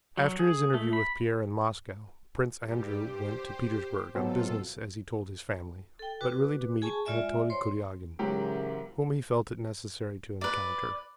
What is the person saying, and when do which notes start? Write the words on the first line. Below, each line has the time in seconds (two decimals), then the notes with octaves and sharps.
After his interview with Pierre in Moscow, Prince Andrew went to Petersburg, on business as he told his family, but really to meet Anatole Kuragin whom he felt it necessary to encounter.
0.17 F#3
0.39 G#4
0.74 A3
0.93 B5
2.59 G2 G3 G4
2.99 G4 C5
4.15 B2 F#3 C4 F4 A4
5.99 A4 G5
6.21 F#4 B4 D6
6.82 G#4 G#5 A5 C#6
7.05 G#3 F4 D5 E5 G#5
7.50 C5 C#5 C6
8.19 G#2 C#3 E3 F#3 A#3 G4
10.41 B4 D5